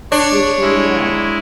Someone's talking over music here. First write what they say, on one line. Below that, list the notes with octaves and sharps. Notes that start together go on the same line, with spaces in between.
"Which way now?"
D4 C#5
G#3 E4